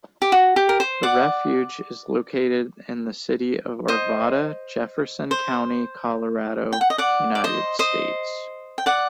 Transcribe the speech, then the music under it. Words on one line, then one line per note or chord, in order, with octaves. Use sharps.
The refuge is located in the City of Arvada, Jefferson County, Colorado, United States.
G4
F#4
G4
A#4
C5
D5 F#5
C5 D#5
C5
G5
F#5
D#5
D5 F#5
D5
C5 D#5
C5 D#5
G5
D5 F#5